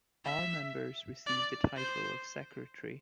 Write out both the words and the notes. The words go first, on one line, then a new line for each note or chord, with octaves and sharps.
All members receive the title of "Secretary".
E5
D5
C5